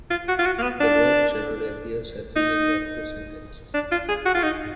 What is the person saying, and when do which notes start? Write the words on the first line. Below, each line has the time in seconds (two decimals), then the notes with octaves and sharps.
The verb generally appears at the end of the sentence.
0.11 F4
0.28 F#4
0.39 F4
0.46 F#4
0.58 A#3
0.63 B3
0.80 D4
2.36 D#4
3.74 D4
3.91 F4
4.09 G#4
4.26 F#4
4.34 F4
4.43 D#4